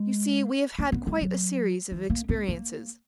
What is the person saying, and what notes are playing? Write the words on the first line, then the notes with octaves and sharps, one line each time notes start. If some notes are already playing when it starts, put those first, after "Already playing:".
"You see we have had quite a series of experiences."
Already playing: G#3
A#3
B3
G#3
F#3
E3
A#3
B3
A#3